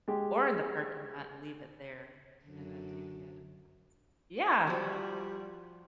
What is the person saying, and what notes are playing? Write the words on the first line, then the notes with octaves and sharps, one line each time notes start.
or in the parking lot, and leave it there, and then take that across. Yeah.
G#3 G4
F#2 D3
F3 G3 F#4